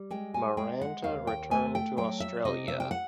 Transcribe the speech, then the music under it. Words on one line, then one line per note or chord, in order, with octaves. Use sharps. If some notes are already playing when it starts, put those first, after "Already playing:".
Maranta returned to Australia.
Already playing: G3
G#3 G5
G#5
G#3 G5
F#5
D#2 F5
G5
A3 G#5
G5
F#3 G5
E5
C3 D#5
E5
G5
F#5